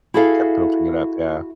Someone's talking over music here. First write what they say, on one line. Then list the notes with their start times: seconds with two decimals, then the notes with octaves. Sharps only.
Kept building it up, yeah.
0.14 E4 F#4 G#4 A4 E5 F5